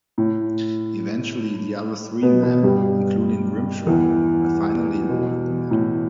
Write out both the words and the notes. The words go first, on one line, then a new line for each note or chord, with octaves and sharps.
Eventually the other three men, including Grimshaw, were finally awarded the medal.
A2
B2 B3
B2 B3
G2 G3
E2 E3
B2
A2